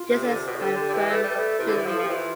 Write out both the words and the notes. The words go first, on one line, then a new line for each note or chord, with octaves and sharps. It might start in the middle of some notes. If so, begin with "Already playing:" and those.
This is my firm belief.
Already playing: F4
C3
D3
C3
B2
C3
D3 G4
D3
D3
E3
A3 B4
G3
C5
A3 B4
C3 E4
D3
E3
F3
A4
F3 G4
E3 F4